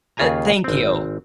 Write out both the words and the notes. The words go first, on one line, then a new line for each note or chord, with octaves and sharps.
Uh, thank you.
D#2 C#3 F4 G#4 G#5 A#5
G#1 C4